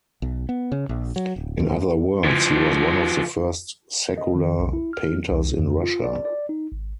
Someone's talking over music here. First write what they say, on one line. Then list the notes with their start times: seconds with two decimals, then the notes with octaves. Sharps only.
In other words, he was one of the first secular painters in Russia.
0.22 B1
0.49 B3
0.72 C#3
0.89 A#1
1.16 F#3
1.36 D1
1.60 D#2
2.24 F3 E4
4.18 D#5
4.35 D#3
4.59 B1
4.73 E4
4.93 F6
5.31 C2
5.59 F2
5.83 F4
6.04 D5
6.25 D5
6.49 D#4
6.72 G#1